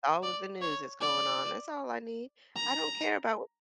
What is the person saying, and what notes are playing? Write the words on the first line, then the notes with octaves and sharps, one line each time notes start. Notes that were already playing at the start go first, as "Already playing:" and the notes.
all of the news that's going on. That's all I need. I don't care about
D5
C#5
D5
A#5